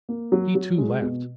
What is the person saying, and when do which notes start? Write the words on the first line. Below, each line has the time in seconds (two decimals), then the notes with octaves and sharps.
He, too, laughed.
0.09 A#3
0.32 F#3
0.55 F#3
0.78 G#3
1.02 B2